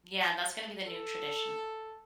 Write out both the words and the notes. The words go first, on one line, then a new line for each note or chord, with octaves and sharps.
Yeah, that's gonna be the new tradition.
A4